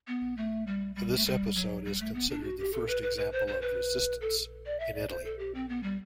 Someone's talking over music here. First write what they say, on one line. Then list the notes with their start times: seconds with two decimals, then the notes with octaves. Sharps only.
This episode is considered the first example of Resistance in Italy.
0.08 B3
0.37 A3
0.67 G3
0.96 G3
1.16 A3
1.26 G3
1.56 F#3
1.85 G3
2.00 A3
2.14 B3
2.30 D4
2.44 F#4
2.59 G4
2.73 A4
2.88 B4
3.03 B4
3.18 B4
3.32 C5
3.48 C5
3.61 B4
4.21 A4
4.66 D5
4.80 E5
4.95 D5
5.09 C5
5.25 A4
5.39 G4
5.55 C4
5.69 B3
5.83 G3